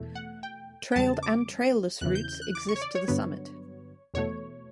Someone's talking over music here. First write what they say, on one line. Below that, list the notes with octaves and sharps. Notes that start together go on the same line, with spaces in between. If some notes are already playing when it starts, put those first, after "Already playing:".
Trailed and trailless routes exist to the summit.
Already playing: E2 B2 A3
F#5
G5
G5
E2 C#3 G3 B3 A5
D6
E2 C#3 E3 F#6
G6
G6
F#6
D6
C#6
C#5
D5
C#5
G2 D3 F#3 B3
E2 B2 A3 C#5